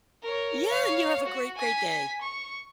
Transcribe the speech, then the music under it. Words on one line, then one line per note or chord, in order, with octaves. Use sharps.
Yeah, and you have a great great day.
A#4 C#5
C#5 F5
F#4
G#5 B6
C#6